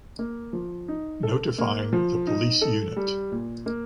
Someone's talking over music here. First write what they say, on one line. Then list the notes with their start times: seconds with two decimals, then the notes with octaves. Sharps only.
Notifying the police unit.
0.19 A#3
0.53 F3
0.88 D#4
1.23 A4
1.58 A#3
1.93 F3
2.27 D#4
2.61 A4
2.97 G3
3.32 A#2
3.66 A#3